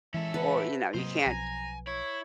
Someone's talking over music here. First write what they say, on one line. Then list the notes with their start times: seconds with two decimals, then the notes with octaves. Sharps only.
or, you know, you can't
0.14 E3 G#3 C#4 A4 E5
0.34 B4 F#5 A5
0.94 C3 F#3 A#3 C5 D#5
1.26 B1 F3 G#5 A#5
1.87 E4 C#5